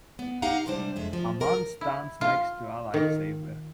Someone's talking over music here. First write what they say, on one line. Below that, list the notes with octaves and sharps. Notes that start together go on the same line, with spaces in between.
A man stands next to a life saver.
B3
D#4 G4 F5 F#5 A#5
D2 G#2 C3 G3 D4 C5
F2 G#3 E5
F3
F3 A#4
E4
F4
D#3